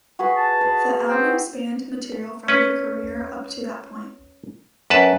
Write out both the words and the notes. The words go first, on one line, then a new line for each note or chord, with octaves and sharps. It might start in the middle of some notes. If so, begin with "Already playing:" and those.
The album spanned material from their career up to that point.
F#4 G#4 B4
A5
B4
C4
C#4 B4
F#2 B4 A5